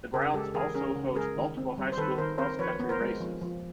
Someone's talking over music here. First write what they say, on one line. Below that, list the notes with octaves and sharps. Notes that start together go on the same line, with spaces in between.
The grounds also host multiple high school cross country races.
C#3 G#4 A#4
G#3 G4 A4
E3 G#4 A#4
C#4 G#4 A#4
C#3
G#3 G#4 A#4
D#3
C4
G3
C5
D#3 A4 B4
D#3 A#4 C5
C4 A#4 C5
F3 B4 C#5
B3
A#4 C5
G#3
F3
F3